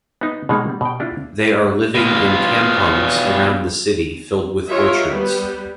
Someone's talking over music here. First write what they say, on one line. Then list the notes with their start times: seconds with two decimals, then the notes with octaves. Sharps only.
They are living in "kampungs" around the city filled with orchards.
0.21 B3 D#4
0.49 B2 D#3 G#3 A#3 D#4
0.69 G3
0.81 B2 G5
1.00 D4 E4 F4
1.94 B2 F4
4.67 F4 F#4 A#4 C#5 D#5 E5
5.08 G3 B3